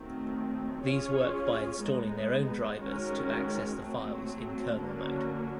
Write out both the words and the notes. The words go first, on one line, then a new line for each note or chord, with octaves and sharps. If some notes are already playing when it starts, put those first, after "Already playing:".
These work by installing their own drivers to access the files in kernel mode.
Already playing: D#3 F#3 A3 C4
C#4 F4 G#4 C#5
G#3 B3 D#4
D#3 G#3 C#4 F#4 A#4
F#3 A3 C4
D3 F#3 A#3 C#4 F#4